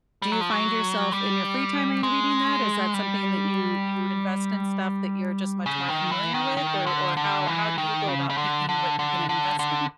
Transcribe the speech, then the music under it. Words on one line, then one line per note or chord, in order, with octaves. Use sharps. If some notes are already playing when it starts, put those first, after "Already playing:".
do you find yourself, in your free time, are you reading that? Is that something that you you invest in stuff that you're just much more familiar with? Or or how how do you go about picking what you're gonna invest in?
G3
F#3
F3
F#3
G3
G#3
G3
C#3
D#3
E3
D#3
D#3
D3
D3
E3
D#3
C#3
C#3
D3
D3
D3
D3
D3